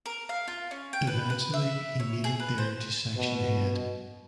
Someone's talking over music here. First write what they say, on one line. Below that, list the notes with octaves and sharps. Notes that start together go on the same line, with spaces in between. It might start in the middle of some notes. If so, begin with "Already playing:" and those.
Eventually he made it there to section head.
A#4
F5
F4
C#4
G5
B4
B4
E5
C#5
G#4
B4
C5
B2